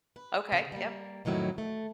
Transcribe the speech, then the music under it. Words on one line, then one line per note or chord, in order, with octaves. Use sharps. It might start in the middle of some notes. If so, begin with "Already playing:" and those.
Okay, yup.
B4
C#3
G3 A#3
F2 A2 D#3 F#3 E4
A3